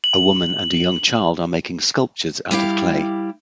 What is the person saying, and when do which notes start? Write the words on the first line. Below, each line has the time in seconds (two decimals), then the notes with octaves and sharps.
A woman and a young child are making sculptures out of clay.
0.04 F#7
2.51 G3 E4 G4 F5